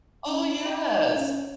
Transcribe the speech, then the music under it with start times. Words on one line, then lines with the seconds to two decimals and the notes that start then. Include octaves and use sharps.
Oh, yes.
0.27 C#4
0.57 E4
0.66 G4
0.75 E4
0.87 D#4
1.16 C#4